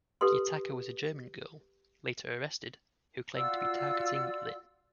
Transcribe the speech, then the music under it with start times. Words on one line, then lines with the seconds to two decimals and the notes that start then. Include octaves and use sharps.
The attacker was a German girl, later arrested, who claimed to be targeting Linn.
0.21 G4 A4 B4 C6
3.34 F4 F#4 D5 E6